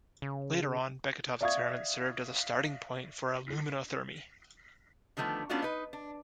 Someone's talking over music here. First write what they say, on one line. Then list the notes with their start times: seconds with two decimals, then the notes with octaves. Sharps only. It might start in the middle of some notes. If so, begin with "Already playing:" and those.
Later on, Beketov's experiments served as a starting point for aluminothermy.
0.22 C#3
1.41 D5 E5 F5 C#6 D#6 G#6
5.17 D3 D#3 F3 A3 B3
5.49 A3 B3 C#4 D4 F4 F#4
5.62 D#4 B4
5.93 D4